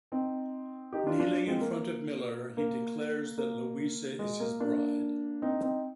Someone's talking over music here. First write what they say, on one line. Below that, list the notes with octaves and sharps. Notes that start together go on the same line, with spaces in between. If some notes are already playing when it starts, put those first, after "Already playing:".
Kneeling in front of Miller he declares that Luisa is his bride.
C4 D#4
D#4 G4
D4 F4
D4 F4
G#3 C4
A#3
A#3
A#3
G#3
A#3
A#3 D4
C4 D#4
C4 D#4